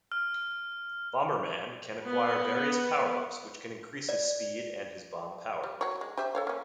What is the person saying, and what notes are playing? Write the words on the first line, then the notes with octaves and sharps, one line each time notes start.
Bomberman can acquire various power-ups which can increase his speed and his bomb power.
F6
B3
D5
G3
F#3 C#5
G#3
G4 C5 E5
A4 C#5 F5
A#3 C#4